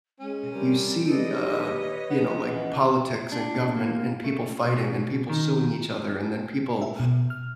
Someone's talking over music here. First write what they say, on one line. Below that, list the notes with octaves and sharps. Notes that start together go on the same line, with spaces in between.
you see, uh, you know, like, politics and government and people fighting and people suing each other and then people,
G#3 C#4
C3 G3 A#4
E3 G4 A4 D5 D#5
D#2 B4 C#5
B3
E3 C#4 D#5
D4
A#3
A3
B2
D#3
E5
B2
F6